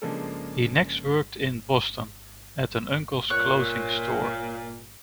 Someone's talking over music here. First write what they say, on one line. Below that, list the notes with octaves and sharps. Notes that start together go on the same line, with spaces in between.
He next worked in Boston at an uncle's clothing store.
C#3 F3 G#3 A#3 D4 A4
A#2 C#5 C#6 F#6